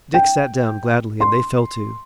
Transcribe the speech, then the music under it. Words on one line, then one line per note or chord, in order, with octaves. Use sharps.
Dick sat down gladly, and they fell to.
G5
C6